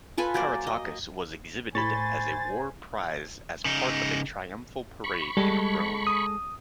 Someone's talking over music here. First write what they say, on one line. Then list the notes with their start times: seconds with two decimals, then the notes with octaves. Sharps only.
Caratacus was exhibited as a war-prize as part of a triumphal parade in Rome.
0.18 F4 A4 B4 G#5
0.34 F#3 A#3 C5 D5
0.67 D#5
1.75 A2 C5 G#5 B5 C#6 A6
3.65 C#3 D#4
5.04 B5 C#6
5.37 G3 G#3 A4
6.07 D#6